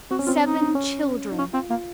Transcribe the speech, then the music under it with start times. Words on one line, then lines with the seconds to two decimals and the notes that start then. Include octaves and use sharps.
Seven children!
0.11 C4 F#4
0.19 C#4
0.26 C4 F4
0.43 D#4
0.75 C#4
1.32 D#4
1.38 C#4 F4
1.53 C4 F4
1.70 A#3 F4